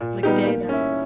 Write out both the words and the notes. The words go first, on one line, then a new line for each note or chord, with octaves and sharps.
like a day that,
A#2
G3 B3 D#4 G4
A#3
C#4 E4